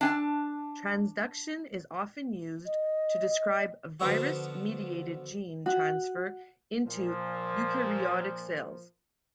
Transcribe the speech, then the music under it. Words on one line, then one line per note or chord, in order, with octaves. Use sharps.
Transduction is often used to describe virus-mediated gene transfer into eukaryotic cells.
D4 G#5 A5
D#5
D3 F3 B3 F4 F#4
F#4
A#2 F3